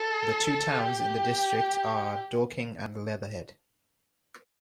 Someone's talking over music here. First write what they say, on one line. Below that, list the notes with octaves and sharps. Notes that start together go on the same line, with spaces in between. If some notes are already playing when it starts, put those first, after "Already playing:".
The two towns in the district are Dorking and Leatherhead.
Already playing: A4
G4